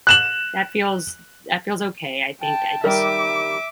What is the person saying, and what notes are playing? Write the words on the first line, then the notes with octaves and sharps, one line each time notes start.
that feels that feels okay I think I just
F#6 E7 F#7
G5 A5
D#3 G3 A#4 E5 D6